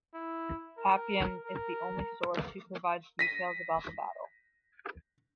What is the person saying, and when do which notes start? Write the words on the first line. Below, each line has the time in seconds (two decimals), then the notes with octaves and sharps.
Appian is the only source who provides details about the battle.
0.14 E4
0.78 A#4
1.45 A#4
3.19 A#6 B6 D#7